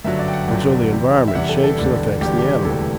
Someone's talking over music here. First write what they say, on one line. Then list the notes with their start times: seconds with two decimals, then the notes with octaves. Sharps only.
And so the environment shapes and affects the animal.
0.04 G1 F#2 D3 F#3 E5
0.19 D5
0.28 G5
0.33 F#5
0.48 G1 F#2 D3 F#3 G5
0.91 E2 C3 G3
1.28 E5
1.34 E2 C3 G3 F#5
1.49 A4
1.64 A4
1.78 E1 E2 D3 G3
2.21 E1 E2 D3 G3 G4
2.38 G4
2.65 E1 D2 C3 E3 G3 A4